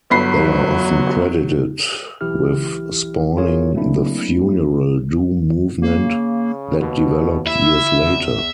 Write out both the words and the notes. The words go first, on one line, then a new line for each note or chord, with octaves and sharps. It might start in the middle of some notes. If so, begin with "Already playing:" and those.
They are often credited with spawning the funeral doom movement that developed years later.
G1 F#3 B5 C7
B1 E3 E4 G4 F6
F4 G#4 A#4 C#5
F#3 A3 A#3 C4 D4 E4
C#3 A#3
D#2 B2
E4 E5
E2